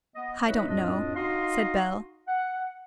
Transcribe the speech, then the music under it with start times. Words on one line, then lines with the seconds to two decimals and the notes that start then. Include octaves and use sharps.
"I don't know," said Bell.
0.15 B3 D#5
0.46 D#4 E4 B4 C#5 D#5 E5
0.68 F2 A2 D4 F4 D#5
1.15 D#4 F#4 D#5 F5 C6
2.27 F#5